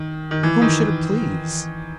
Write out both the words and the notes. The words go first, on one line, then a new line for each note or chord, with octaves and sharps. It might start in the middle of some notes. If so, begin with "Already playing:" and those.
Whom should it please?
Already playing: D#3
D#3
E3
D#3